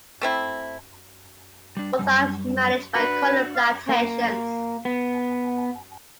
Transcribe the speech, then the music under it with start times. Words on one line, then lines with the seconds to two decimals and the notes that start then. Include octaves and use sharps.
Both are managed by Cornell Plantations.
0.21 A3 C4 E4
1.77 G3 D4
1.99 F#2 C3 G3
2.95 D4 F#4 B4
3.55 F5
3.89 A#3
4.85 B3